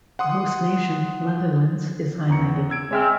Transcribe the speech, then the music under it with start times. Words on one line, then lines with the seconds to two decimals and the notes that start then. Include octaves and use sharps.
The host nation, Netherlands, is highlighted.
0.19 F#5 C6 D#6
2.29 E2 A#5 C#7
2.70 E6 G#6 D7
2.91 G#3 C4 C#5 E5 F6